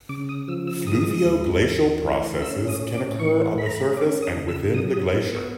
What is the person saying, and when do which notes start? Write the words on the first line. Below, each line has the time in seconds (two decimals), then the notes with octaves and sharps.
Fluvio-glacial processes can occur on the surface and within the glacier.
0.09 C#3 D6
0.29 D#6
0.48 F3 E6
0.67 E6
0.87 G#3 D#6
1.25 D#2
1.64 E3
2.03 A3
2.42 C#4 E6
2.68 D#6
2.81 A2
2.93 D6
3.19 E3 C#6
3.58 A3 B5
3.66 A#5
3.75 B5
3.97 C#4 D6
4.22 D#6
4.35 C#3
4.48 E6
4.74 F#3 D#6
4.94 D#6
5.13 B3
5.32 C#6